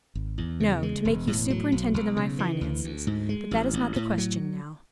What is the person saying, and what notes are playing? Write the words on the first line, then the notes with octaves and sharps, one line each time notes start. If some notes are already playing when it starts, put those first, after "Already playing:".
"No; to make you superintendent of my finances; but that is not the question now."
G#1
E2
C#3
G#3
E1
A2
F#3
B1
B1
C#3
E3
D2
D2
G#2
G#3
A1
A1
A2
F#3